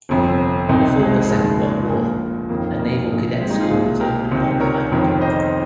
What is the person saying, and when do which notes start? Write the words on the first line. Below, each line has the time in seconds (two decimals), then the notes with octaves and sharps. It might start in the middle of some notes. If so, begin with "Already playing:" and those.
Before the Second World War, a naval cadet school was opened on the island.
0.09 G1 F2 C3
0.69 C2 C3 D#3 C4 D#4
0.99 G#3
1.29 F1 D#2 C#3 G#3
1.89 A#1 A#2 A#3
2.49 G1 F2 D#3 A#3
2.79 A#3
3.10 A#1 A#2
3.40 G#3 C4
3.50 D#4 G4
3.60 F4 G#4
3.71 C2 A#2
4.00 G4 A#4
4.31 C#2 C3 D#3
4.60 A#4 C#5
4.91 G1 F2 C3 D#3
5.21 C5 D#5